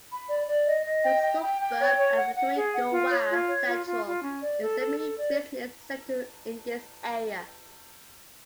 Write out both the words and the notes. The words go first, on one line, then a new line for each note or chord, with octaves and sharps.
The suburb of Thuringowa Central is the main business centre in this area.
B5
D5
D5
D#5
D#5
G5
G5
G5
G5
C#5
C#5
F#5
F#5
G#4
F#5
F4
C#5
F4
C#5
F4
F4
F4
C#4
D5
A4
A4
A4
D5